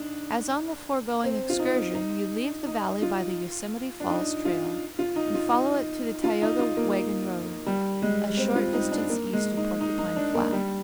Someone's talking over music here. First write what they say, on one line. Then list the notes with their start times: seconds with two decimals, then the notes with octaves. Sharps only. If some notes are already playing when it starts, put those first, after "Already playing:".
As on the foregoing excursion, you leave the Valley by the Yosemite Falls trail and follow it to the Tioga wagon-road, a short distance east of Porcupine Flat.
Already playing: D4 D#4
1.24 C4
1.50 F4
1.59 D#4
1.95 D#4
2.67 D#4
3.02 F4
4.00 D4
4.09 D#4
4.45 F4
4.99 F4
5.16 D#4
5.34 F4
5.53 D#4
6.24 F4
6.42 D#4
6.59 F4
6.77 A#3
7.66 G3
8.02 G#3
8.37 C4
8.56 F4
8.73 D#4
8.92 D4
9.10 A#3
9.33 G#3
9.57 D#4
9.81 D#4
9.99 D#4
10.16 D4
10.34 A#3
10.52 G3